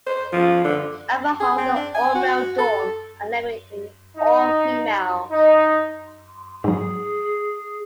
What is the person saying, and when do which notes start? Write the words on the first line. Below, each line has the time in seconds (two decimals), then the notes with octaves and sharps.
Albert Hall was an all-male dorm, and Lemming an all-female.
0.07 C5
0.33 F3
0.64 D3
1.40 G#4
1.58 C4
1.76 D4
1.95 G#5
2.15 F#4
2.58 A4
4.16 D#4
5.30 D#4
6.64 G#2 F#3 G#4